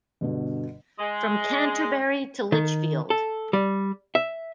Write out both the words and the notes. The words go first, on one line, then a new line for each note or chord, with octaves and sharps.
"From Canterbury to Lichfield".
G1 B2 D3
G#3
D#3
A4
G3
E5